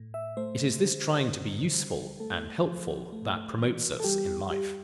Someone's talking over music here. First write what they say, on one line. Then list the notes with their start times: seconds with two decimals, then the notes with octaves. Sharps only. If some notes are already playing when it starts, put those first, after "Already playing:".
It is this trying to be useful and helpful that promotes us in life.
Already playing: A2
0.14 E5
0.37 A3 C5
0.82 D3
1.29 D3
1.74 G3
2.20 A3 A4
2.67 F3
3.12 A3
3.58 E3
4.00 A4
4.04 G3 G4
4.50 G3 G4